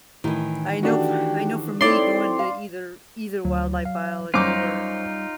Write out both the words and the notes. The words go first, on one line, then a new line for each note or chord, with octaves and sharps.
I know, I know for me going to either either Wildlife Biology or
A2 D#3 E3
A3 D4 F#4 G4
C4 D#4 E4 A4 C#5 D5 C6
F5
D2 F#3
F5
F#2 G3 D#4 F4 C5 C#6 D6